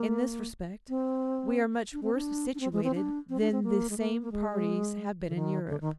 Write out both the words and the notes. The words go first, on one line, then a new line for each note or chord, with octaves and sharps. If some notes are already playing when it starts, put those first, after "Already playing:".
In this respect we are much worse situated than the same parties have been in Europe.
Already playing: A#3
C4
D4
C4
D4
D4
C4
G#3
C4
D4
C4
D4
C4
A#3
G#3
A#3
A#3
G#3
D3
D#3
D3
D#3